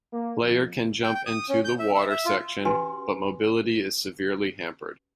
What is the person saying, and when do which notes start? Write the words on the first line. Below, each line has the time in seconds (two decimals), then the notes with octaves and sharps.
Player can jump into the water section, but mobility is severely hampered.
0.12 A#3
0.43 F2
1.03 G5
1.14 G5
1.26 D#6
1.49 C#4
1.65 G6
1.79 E5
1.94 E5
2.10 E5
2.26 F4
2.65 C#4 F#4 G4 B4 G#5 C6